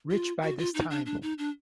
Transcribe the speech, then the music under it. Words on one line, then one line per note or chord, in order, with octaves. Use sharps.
Rich by this time.
F4
F#4
F4
D#4
D4
D4
D#4
D4